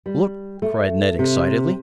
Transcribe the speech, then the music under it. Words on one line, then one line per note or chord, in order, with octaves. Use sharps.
"Look!" cried Ned excitedly.
G3
A3
C3